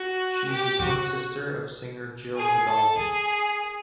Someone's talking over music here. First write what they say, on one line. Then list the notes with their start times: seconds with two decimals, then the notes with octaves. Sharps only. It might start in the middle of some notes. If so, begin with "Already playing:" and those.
She is the twin sister of singer Jill Vidal.
Already playing: F#4
0.50 G4
0.81 F#4
2.37 G#4
2.67 A4
2.98 G#4